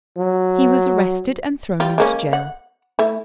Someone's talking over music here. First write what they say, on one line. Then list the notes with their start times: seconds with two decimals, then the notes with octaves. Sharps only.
He was arrested and thrown into jail.
0.18 F#3
1.80 G3 F4
1.98 G#3 A#3 C#4
2.33 F#5
2.99 A3 E4